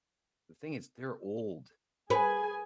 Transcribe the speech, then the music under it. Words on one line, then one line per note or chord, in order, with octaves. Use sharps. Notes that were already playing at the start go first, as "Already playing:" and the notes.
the thing is they're old,
G#4 B4 G#5